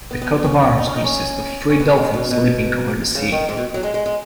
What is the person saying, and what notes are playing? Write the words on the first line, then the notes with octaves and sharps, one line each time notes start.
The coat of arms consists of three dolphins leaping over the sea.
B3
B3
B3
C#4
C#4
D#4
C#4
D#4
C#4
C#4
B3
G#3
B2
B2
C#3
D#3
G#2
B2
F#3
G#3
G#3
G#3